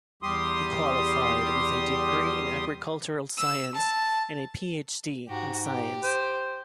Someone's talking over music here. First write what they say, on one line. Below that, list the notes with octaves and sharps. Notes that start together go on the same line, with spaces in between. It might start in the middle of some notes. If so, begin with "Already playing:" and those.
He qualified with a degree in Agricultural science and a PhD in science.
E2 G3 G4 C6 D#6
E6
A5
G#2 F#4 G4
G4
C5